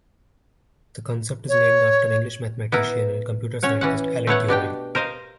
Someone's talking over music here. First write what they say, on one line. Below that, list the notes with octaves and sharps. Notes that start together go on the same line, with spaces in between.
The concept is named after English mathematician and computer scientist Alan Turing.
C#5
B3 E4 A#4
C#4 C#5 F#5
E3 C#4 F#5
A3 B3 C#5 F#5
B2 D4 G4 G5
A#4 C5 D#5 F5